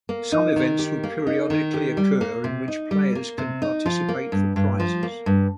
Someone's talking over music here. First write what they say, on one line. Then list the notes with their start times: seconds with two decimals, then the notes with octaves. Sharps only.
Some events will periodically occur in which players can participate for prizes.
0.09 A#3
0.32 D#4
0.56 D#3
0.79 G4
1.04 A#3
1.27 D#4
1.50 D#3
1.74 G4
1.97 G3
2.21 A#3
2.44 C3
2.68 D#4
2.91 G3
3.15 A#3
3.38 C3
3.62 D#4
3.86 F3
4.09 A#3
4.32 G2
4.56 G2
4.80 F3
5.03 A#3
5.26 G2